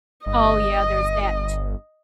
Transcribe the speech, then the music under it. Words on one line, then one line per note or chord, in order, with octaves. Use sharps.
Oh, yeah, there's that t
G1 D#5